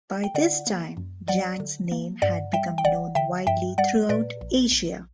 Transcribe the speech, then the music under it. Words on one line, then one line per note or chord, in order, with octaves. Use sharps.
By this time, Jang's name had become known widely throughout Asia.
G5
D3 D5 F#5
A#3
F#2
F#3 D5 F#5
D3
A#3
G2 D5 F#5
G3 E5 G5
G5
G1 D5 F#5
D3 E5 G5
G2 E5 G5
G3 D5 F#5
A#2 B4 D5
A#1
A#1